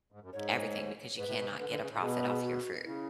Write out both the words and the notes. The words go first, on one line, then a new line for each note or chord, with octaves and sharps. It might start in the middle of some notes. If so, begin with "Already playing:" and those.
everything, because you cannot get a profit off your fruit.
G#2
F#2
G#2 C#5
G#2 B4
A2
B2
C#3
D3 B4
D3
C#3
A2
B2 G#4
F#4
G#4
F#4
C#3 E4